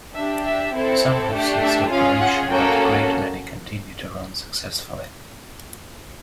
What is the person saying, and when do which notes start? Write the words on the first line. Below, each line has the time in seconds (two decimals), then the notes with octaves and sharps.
Some have ceased operation, but a great many continue to run successfully.
0.15 D4 G4 E5
0.45 E5
0.74 C4 E4 A4
1.33 A3 D4 G4
1.62 E5
1.92 C#4 F4 G#4 F5
2.20 F#5
2.50 A#3 C#4 F#4 A4 G5